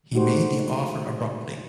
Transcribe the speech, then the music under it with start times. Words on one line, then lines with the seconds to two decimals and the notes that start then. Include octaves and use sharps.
He made the offer abruptly.
0.13 G#3 A3 D#4 F#4 G4 C5